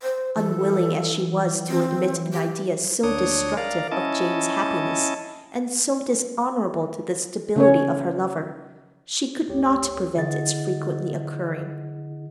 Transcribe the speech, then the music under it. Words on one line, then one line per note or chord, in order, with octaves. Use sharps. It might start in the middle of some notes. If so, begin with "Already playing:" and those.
Unwilling as she was to admit an idea so destructive of Jane's happiness, and so dishonorable to the stability of her lover, she could not prevent its frequently occurring.
C5
E3 A4
C4
G4
D2 D4 C#5 D#6
A#4 D5 F5
C#4 E4 D#5 A5
C#3 C#4 C#5
G1 D2 G4 C#5
D3 E4 G#4 D#5 F#5 A6